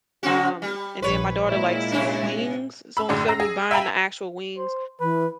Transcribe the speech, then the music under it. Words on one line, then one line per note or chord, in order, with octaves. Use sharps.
um, and then my daughter likes wings, so instead of me buying the actual wings,
C#3 C4 F#4
G3
A#1 B4 C#5
A#2 G#3 E4
C3 C#4 D4
B5 E6
F#2 A2 D3 G#4 D5
A#5 E6 A#6 C7
G#4
E5 F5 G5 G#5 A#5 B5
C5
E3 B4